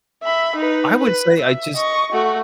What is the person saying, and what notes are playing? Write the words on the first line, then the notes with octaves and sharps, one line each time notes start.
I would say I just
E5 B5
D#4 B4
B4
E5
D#5 C#6
A3 F#4